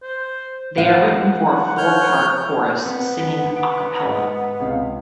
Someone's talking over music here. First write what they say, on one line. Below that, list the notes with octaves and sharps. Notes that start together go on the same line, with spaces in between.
They are written for a four-part chorus singing "a cappella".
C5
F3 F5 F#5
C#5 F6 G6
B3 C4
B6
F#5 D7
G#2
C#2 C3 F5